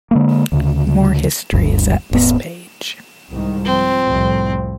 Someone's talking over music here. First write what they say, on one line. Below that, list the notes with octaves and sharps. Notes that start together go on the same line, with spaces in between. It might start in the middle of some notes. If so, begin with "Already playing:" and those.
More history is at this page.
D3 G#3 A#3
D2 C#3
F#1 D2 G2
D#1 G#2 B3
C2 G#2 D#3
F3 C4
C2 F2 A2